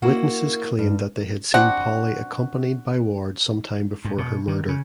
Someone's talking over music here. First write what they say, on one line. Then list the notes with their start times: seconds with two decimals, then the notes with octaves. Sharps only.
Witnesses claimed that they had seen Polly accompanied by Ward sometime before her murder.
0.02 A#3 E4 F#4
0.79 G2
1.54 C4 D4 F#4 F#5
4.05 G2
4.18 B2
4.48 D#3
4.68 C#3